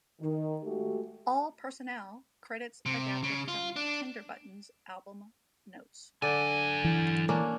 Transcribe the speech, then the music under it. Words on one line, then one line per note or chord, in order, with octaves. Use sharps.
All personnel credits adapted from "Tender Buttons" album notes.
D#3
G#3 A3 F#4 G4
C3
C#3
F4
D4
D3 F#3 D5 G#5
E3
A#3 C#4 D4